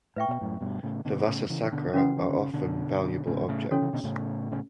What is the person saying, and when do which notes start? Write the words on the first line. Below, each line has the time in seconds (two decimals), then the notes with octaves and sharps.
The vasa sacra are often valuable objects.
0.16 A2 B4 E5 G5 C#6
0.29 B2
0.41 F#2 A2
0.61 G2 B2
0.83 A2 C#3
1.05 B2 D3
1.27 A2 C#3
1.50 C#3 E3
1.63 E3
1.72 B2 D3
1.93 C#3 E3 C#4 F#4 B4 F#5
2.17 E3
2.29 D3
2.40 C#3
2.54 B2 D3
3.26 A2 C#3
3.48 A2 C#3
3.71 C#3 E3 C#4 F#4 A4 C#5
3.82 C#3 E3
3.93 B2 D3
4.04 A2 C#3
4.52 C#3